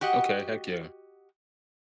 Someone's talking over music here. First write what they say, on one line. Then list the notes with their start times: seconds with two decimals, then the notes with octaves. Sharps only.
Okay, heck yeah.
0.01 F#4 G4 D#5 F#5